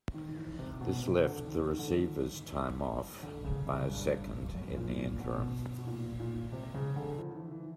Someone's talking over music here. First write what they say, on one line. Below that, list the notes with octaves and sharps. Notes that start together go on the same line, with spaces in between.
This left the receiver's time off by a second in the interim.
D#3
E3
C3
B2
C3
D3
D#3
D#3
D3
D#3
D3
C#3
C#3
G2
F#2
A#2
A#2
B2
B2
A#2
A#2
C3
C#3
D3
F3
E3
E3